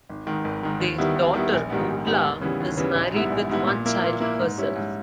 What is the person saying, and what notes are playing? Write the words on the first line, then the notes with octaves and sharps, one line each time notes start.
Their daughter Orla is married with one child herself.
G#1
G#2 D#3
G#1
G#2 D#3
D#2
D#3 G3 B3 E4
D#2
D#3 G3 B3 E4
A#1
G#2 D#3 G3 B3
A#1
G#2 D#3 G3 B3
D#2
C#3 E3 G3 B3
D#2
C#3 E3 G3 B3
A#1
G#2 G3 B3 E4
A#1
G#2 G3 B3 E4
A#2
A#3 E4
A#2
A#3 E4
G#2
G3 C#4 E4
G#2